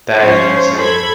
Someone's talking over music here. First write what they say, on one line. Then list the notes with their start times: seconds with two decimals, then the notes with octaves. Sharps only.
That is insane.
0.19 F3 C#4 C5 C#5
0.78 A4 B5 G#6